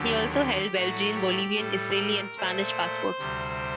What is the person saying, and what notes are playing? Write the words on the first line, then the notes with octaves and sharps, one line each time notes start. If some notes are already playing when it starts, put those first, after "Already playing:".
He also held Belgian, Bolivian, Israeli, and Spanish passports.
Already playing: D#2 D3 F#3 G4
G4
A2 F#3 A3 F#4
G4
A2 G3 A4
A#4
A#2 A3 C5
D2 C3 G3